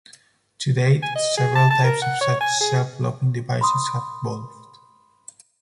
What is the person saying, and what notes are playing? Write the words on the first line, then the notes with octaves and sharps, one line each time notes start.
To date, several types of such self-locking devices have evolved.
G#5
D#5
G#4
A5
A5
A#4
F#5
C#5
G#5
G#4
B5 C6 D#6